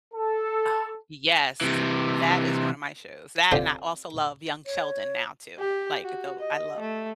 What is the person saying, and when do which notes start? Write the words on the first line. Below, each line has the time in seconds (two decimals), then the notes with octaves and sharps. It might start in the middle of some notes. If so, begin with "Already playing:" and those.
Oh, yes. That is one of my shows, that and I also love Young Sheldon now too, like, though I love
0.14 A4
1.61 C3 E3
3.52 D3 C4 D4 F4 G4 A4
4.66 C#5
5.59 G4
6.03 F#4
6.39 D#5
6.80 A3